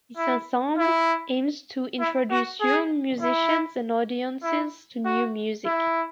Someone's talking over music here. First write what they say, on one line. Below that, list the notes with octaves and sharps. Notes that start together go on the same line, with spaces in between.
This ensemble aims to introduce young musicians and audiences to new music.
E4
E4
E4
F#4
G#4
E4
E4
F#4
E4